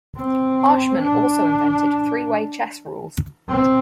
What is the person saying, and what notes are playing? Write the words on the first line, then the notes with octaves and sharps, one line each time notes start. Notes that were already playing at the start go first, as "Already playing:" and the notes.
Harshman also invented three-way chess rules.
C4
D4
C4